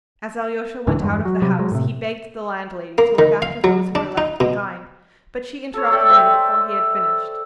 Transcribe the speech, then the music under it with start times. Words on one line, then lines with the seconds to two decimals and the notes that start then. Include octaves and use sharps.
As Alyosha went out of the house he begged the landlady to look after those who were left behind, but she interrupted him before he had finished.
0.87 C#2 G#2 D3 E3
1.00 E2 G2 G#3
1.25 F#3
1.42 C3 F#3 G3
1.59 F#3 G#3
1.71 A2 C3
2.98 A#3
3.19 D#3
3.42 F5
3.64 F#3
3.95 D4
4.18 D#4
4.40 B2
5.74 A4 C#5
5.92 A4 D5 E5 G5
6.10 C5 E5 G5 C6